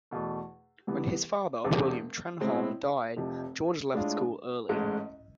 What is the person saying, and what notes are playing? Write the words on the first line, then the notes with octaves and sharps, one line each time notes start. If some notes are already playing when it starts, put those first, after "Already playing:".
When his father, William Trenholm, died, George left school early.
E2 B2 A3
C2 C3 E3 B3
E1 E2 C3
A2 G#3 C4 E4
F1 F2 C3 F3
A2 G#3 D4 F4
A1 G#2 G#3